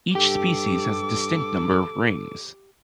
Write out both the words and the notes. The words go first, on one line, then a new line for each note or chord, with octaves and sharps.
Each species has a distinct number of rings.
G2 G4 A4 G5 D6